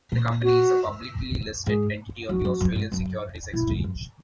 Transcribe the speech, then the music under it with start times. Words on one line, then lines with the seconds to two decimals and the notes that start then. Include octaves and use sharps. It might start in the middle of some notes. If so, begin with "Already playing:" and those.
The company is a publicly listed entity on the Australian Securities Exchange.
0.12 A#2
0.43 F#4
1.66 G#2 G#4
2.29 F#2 F#4
2.45 F#2
2.60 F#2
2.76 G#2
2.92 F#2
3.53 A#2 E4
3.69 G#2
3.84 F#2